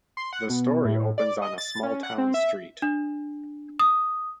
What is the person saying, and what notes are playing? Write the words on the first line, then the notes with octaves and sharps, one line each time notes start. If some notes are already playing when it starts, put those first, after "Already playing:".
The story opens on a small-town street.
C6
F#5
B2
A2
D5
D#5
A6
C#4
F#5
C4
E5
D4
D#6